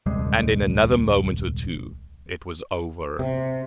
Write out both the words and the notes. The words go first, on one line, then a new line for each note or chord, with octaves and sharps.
And in another moment or two it was over.
D#1 C2 G3 G#3
C3